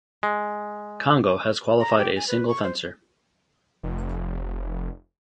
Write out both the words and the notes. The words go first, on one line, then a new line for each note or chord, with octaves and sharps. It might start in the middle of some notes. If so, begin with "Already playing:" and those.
Congo has qualified a single fencer.
G#3
A#5
G4
G#5
B4
C#6
C5
F1